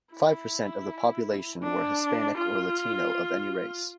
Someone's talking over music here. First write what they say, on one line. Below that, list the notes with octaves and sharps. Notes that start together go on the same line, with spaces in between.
Five percent of the population were Hispanic or Latino of any race.
E4
D4
F4